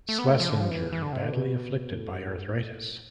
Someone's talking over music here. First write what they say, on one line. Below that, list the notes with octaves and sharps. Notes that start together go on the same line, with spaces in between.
Schlesinger badly afflicted by arthritis.
A3
B3
A3
F3
D3
F3
E3
E3
D3
C3
D3
B2
A2
G2
A2
G2
A2